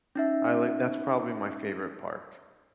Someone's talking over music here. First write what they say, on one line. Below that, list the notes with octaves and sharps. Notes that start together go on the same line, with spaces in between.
I like that's probably my favorite park,
C#4 D#4 E5